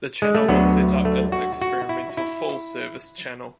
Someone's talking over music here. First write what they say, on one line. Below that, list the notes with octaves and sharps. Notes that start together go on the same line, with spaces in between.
The channel was set up as an experimental full service channel.
G#3
A3
D2 D3 F#3 B3
A3
F#4
F#4
E4
E4